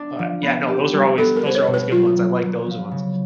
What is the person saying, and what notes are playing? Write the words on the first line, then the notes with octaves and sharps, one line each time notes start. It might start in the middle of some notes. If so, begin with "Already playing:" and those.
but, yeah, no, those are always those are always good ones, I like those ones
Already playing: B3 D4
F3
B3
G4
G3
B3 A4
A#4
B3 C5
C#5
B2
B4
F#3 F4
F#3
F#3
F3
C#3